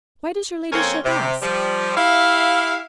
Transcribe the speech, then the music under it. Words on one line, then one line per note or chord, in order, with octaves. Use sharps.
"Why does your ladyship ask?"
F2 A#3 C4 C#4 A#4 C#5
C3
F3 G3
E4 G4 E5 F5